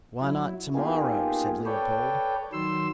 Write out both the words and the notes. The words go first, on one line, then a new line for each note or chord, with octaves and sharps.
"Why not to-morrow?" said Leopold.
F#3 E4
A#3 B3 D#4 F4 G4 G#4
A4 B4 C#5 D5 G5
D#3 F#3 C6 E6